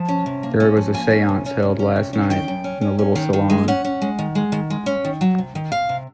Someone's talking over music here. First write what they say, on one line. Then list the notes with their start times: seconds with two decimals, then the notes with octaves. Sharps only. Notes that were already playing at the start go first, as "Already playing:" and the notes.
There was a seance held last night in the little salon.
Already playing: F3 A5
0.09 C#4
0.26 C3
0.43 A#3
0.60 C#4
0.77 F3
0.94 A#3 G#5
1.11 C#4
1.29 C3
1.46 C#4
1.63 C3
1.79 C#4
1.96 C3
2.13 C#4
2.30 D#3 G5
2.48 F#2
2.64 C#4
2.81 C#4
2.99 C#4
3.15 D#3
3.33 D#3
3.50 G#3
3.68 C#4 F#5
3.85 C#4
4.02 G#3
4.19 D#3
4.35 G#3
4.52 D#3
4.70 G#3
4.86 C#4
5.05 D#3
5.21 F#3
5.38 C3
5.55 D#3
5.72 C3 F5
5.89 C3